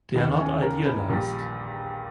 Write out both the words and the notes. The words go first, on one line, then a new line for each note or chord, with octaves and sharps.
They are not idealized.
E1 D#2 D#3 B3
C#4
A#4
B4
A#1 A#2 G3